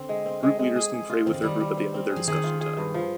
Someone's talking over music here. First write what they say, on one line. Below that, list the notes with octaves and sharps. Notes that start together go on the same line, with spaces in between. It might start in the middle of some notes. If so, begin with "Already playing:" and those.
Group Leaders can pray with their group at the end of their discussion time.
Already playing: D3 C4
G#3
C4
G#3
G#3
G#4
G#4
F4
D#3 C4
D3
D#3 G3
G3
C4
C4
G#4
F3
D#3 G#4
F4
G#4
G2
F3